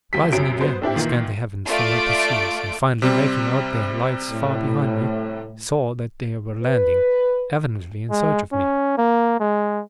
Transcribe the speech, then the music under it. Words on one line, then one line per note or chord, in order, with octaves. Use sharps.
Rising again I scanned the heavens for my pursuers, and finally making out their lights far behind me, saw that they were landing, evidently in search of me.
D2 G3 B6
C2 F#2 F#3 C#4 D7
F#3 B3 C5
C4 D4 E4 G4
A#2 D#3 E3 A#3
A3 F4 D5 D7
C3 G3 C4
A2
B4
G#3
C#4
A#3
G#3